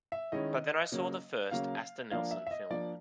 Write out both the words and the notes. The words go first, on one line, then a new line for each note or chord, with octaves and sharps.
But then I saw the first Asta Nielsen film.
E5
D#3 G#3 C#4 E4 D#5
C#3 F#3 A#3
C#3 F#3 A#3 F5
F3 A#3 D4 F5
E5
E5
D#5
F3 A#3 D4 D5